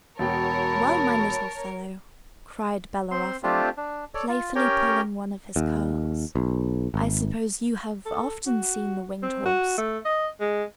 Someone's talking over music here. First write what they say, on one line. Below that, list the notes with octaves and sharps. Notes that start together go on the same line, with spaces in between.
"Well, my little fellow," cried Bellerophon, playfully pulling one of his curls, "I suppose you have often seen the winged horse."
E1 B2 A#4 C#5 G5 A5 B5
C4 C6
A3 C4 D4 F4 G4
D4
A4 C#5 D5
F4
C#4 G4 A#4 C#5 G5
D#2
B1
G#1
A4
F#4
C4
F#4
A3
D#5
G#3